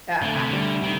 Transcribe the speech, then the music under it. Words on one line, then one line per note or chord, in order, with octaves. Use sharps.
Yeah I I
D2 D3
C3
D3 G3
C3 D#3